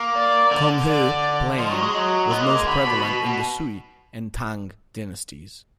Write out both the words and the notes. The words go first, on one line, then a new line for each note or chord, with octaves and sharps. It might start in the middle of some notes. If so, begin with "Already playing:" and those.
"Konghou" playing was most prevalent in the Sui and Tang dynasties.
Already playing: A#3
D5
D3
D5
F3 D#5
F#3
G#3
F#3
B3 D#5
A#3
G#3
D3 B5
B2
B2
B2